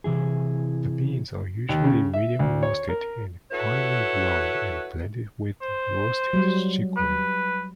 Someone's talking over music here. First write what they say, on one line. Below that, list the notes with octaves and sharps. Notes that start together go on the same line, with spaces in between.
The beans are usually medium-roasted and finely ground and blended with roasted chicory.
C3 E3 E4 G#4
D#2
C#3
E5
D2
C#5
A#4
E4 F#4 A4 B4 C#5
C5
F#3 G3
B4